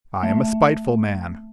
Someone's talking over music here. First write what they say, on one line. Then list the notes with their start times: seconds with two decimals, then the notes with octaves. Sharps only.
I am a spiteful man.
0.23 A3